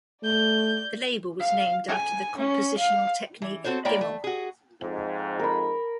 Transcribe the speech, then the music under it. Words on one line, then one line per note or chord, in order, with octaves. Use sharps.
The label was named after the compositional technique gymel.
A3 D5 G6
F5
G#5
C#4
F5
E3
C4 F#4 A4 C5 C#5
G#3 A#3 E4 C#5 D5 G5
A3
F#4 G#4
F2 G#2
A#4 B5